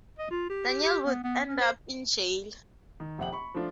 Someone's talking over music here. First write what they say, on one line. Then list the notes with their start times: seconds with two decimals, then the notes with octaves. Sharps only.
Daniel would end up in jail.
0.19 D#5
0.31 F4
0.50 G4
0.68 G4
0.83 G4
1.06 B3
1.24 B3
1.48 C#4
1.61 C5
3.00 D#3
3.18 F1 A#1 E5 F#5 G5 F#7
3.33 B5 C#6
3.55 F3 A3 D4 F4